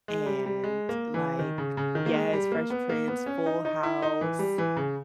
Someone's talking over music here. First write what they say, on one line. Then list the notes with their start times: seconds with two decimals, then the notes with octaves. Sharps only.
and, like Yes, Fresh Prince, Full House,
0.08 G#3
0.26 G3
0.46 G3
0.64 G#3
0.89 A#3
1.14 E3
1.39 D#3
1.58 C#3
1.77 C#3
1.95 D#3
2.06 A#3
2.14 G#3
2.33 G3
2.52 A#3
2.70 B3
2.89 A#3
3.08 B3
3.26 C#4
3.46 D#4
3.65 D#4
3.83 E4
4.02 D#4
4.21 E3
4.39 G3
4.58 E3
4.77 C#3